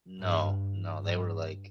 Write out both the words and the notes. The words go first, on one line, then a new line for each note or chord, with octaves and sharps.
No, no. They were, like
G2
G2